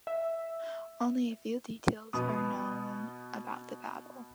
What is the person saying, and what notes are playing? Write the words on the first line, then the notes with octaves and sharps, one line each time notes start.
Only a few details are known about the battle.
E5
B2 B3 D#6